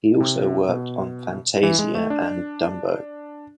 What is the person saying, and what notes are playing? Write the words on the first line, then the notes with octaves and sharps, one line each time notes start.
He also worked on "Fantasia" and "Dumbo".
C3
B2
E3
G#3
A3
D4